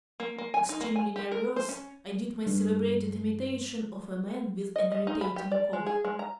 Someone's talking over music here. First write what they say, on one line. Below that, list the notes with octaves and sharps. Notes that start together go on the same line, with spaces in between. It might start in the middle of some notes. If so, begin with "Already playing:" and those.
Extremely nervous, I did my celebrated imitation of a man with an irritating cough.
A#3
A#3
G#5
D#4
A#3
G#5
G4
A#4
C5
C#4
G2
D#5
D#5
D#4
B5
G4
D5
G#3
G#4
G#3
A#5